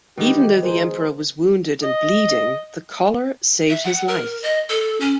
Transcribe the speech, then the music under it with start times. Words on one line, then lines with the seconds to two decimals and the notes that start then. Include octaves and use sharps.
Even though the Emperor was wounded and bleeding, the collar saved his life.
0.18 B2 D#3 E3 G#3 G4 B4
0.63 G#4 A#4 C5
1.84 D#5
3.70 E5
3.84 F#5
4.08 A#4
4.43 D#5
4.69 A4
5.01 C#4